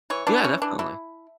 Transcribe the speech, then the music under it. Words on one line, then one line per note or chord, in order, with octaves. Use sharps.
Yeah, definitely.
E3 C#5
E3 D4
E3 C#4
E3 D4
E3 E4